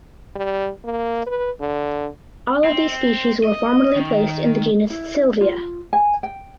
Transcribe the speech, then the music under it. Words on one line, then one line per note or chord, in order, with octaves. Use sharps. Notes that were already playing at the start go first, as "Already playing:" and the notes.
All of these species were formerly placed in the genus "Sylvia".
G3
A#3
B4
D3
C4
D#5
D#3
E4
F4
G#5
G5